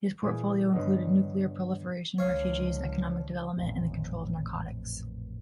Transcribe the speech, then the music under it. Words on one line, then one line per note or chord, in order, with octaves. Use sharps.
His portfolio included nuclear proliferation, refugees, economic development, and the control of narcotics.
A#2 E3 G#4 G#5
G2 D3 B3 C#4 D#5
C#2 D3 F3 C#5 F5
A1 F2 A#2